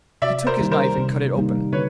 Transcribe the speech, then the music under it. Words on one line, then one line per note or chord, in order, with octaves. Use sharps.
He took his knife and cut it open.
C3 D5 E5
A#4 C5
D#3 G3 A#3 D#4
A#4 C5
C3
D#3 G3 A#3 D#4
D3 B4 C#5